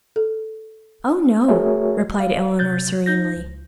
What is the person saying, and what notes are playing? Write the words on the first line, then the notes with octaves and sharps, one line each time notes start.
"Oh, no," replied Eleanor serenely.
A4
A3 F#4 G#4 A#4 C#5 E5
F5
C3 F#3 F#6 G6 A6
D#4 G6 A#6
C#2